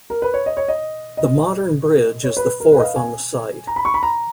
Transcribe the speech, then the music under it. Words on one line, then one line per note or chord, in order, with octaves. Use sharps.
The modern bridge is the fourth on the site.
A#4
B4
C#5
D#5
C#5
D#5
D#5
C#5
B4
A#4
B4
D#5
F5
G#5
A#5
B5
C#6
B5
A#5